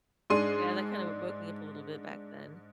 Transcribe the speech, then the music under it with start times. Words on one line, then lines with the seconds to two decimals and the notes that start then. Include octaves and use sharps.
Yeah, that kinda w woke me up a little bit back then.
0.30 G#2 D4 G#4 C6 D#7